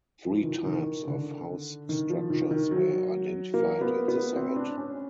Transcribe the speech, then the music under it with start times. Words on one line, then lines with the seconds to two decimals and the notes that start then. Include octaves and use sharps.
Three types of house structures were identified at the site.
0.25 F3
0.34 E3
0.43 D#3
0.53 E3
0.66 D#3
1.07 D3
1.89 D#3
2.10 F3
2.30 D#3
2.51 D#3
2.71 F#3
3.54 A#3
3.81 B3
4.08 B3
4.36 C4
4.56 D4
4.77 C#4